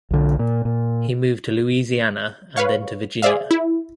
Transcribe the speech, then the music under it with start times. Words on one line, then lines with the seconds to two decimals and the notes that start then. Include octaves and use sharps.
He moved to Louisiana and then to Virginia.
0.11 B1 D3
0.39 A#2
0.65 A#2
2.57 B4 C#5 F5 C#6
3.22 G#4 C5 D5 E5 F5
3.51 E4